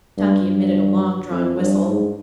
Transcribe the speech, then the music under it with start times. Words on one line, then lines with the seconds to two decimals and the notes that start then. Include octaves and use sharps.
Chunky emitted a long-drawn whistle.
0.17 G2
0.45 G2
1.31 F2
1.59 G2
1.86 G#2